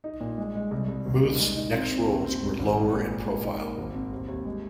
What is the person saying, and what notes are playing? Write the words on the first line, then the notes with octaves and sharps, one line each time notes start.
Muth's next roles were lower in profile.
D#4
A#2
G#3
G#3
C2
C2
D#2
D#3
G#3
D#4
C4
C4
D#2
C4
G#2
G#1
G#3
A#2
G#4
G#3
D#4
A#3
G#1
C4
D#2
D#2
G#3